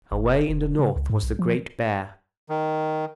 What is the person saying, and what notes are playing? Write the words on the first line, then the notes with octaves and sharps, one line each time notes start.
Away in the north was the Great Bear.
G1
F1
E1
C#3
C#2
G#2
B1
F3
D#3